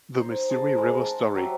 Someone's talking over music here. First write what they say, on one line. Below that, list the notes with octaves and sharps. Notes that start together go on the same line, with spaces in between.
The Missouri River Story.
D#4 C5
G#4 C5 D#5 A5
G#3 A#4
A5
F#3 G3 C5 E5